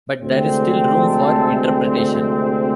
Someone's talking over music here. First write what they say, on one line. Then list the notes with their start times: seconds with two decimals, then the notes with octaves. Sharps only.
But there is still room for interpretation.
0.23 D2 C3 G#3 C4
1.04 A4 C5